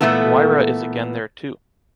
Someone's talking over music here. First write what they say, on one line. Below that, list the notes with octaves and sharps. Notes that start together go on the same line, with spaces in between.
Moira is again there too.
A#2 D#3 E3 A3 B3 A4